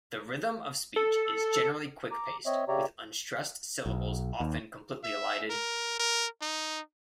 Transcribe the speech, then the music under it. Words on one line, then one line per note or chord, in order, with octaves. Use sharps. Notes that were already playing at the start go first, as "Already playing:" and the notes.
The rhythm of speech is generally quick-paced, with unstressed syllables often completely elided.
A4
A#5 D6
C4 C#5 D#5 E5
C#3 G4 C#5 D5 E5 A#5
B1
D#2
E5
A#4
A#4
D#4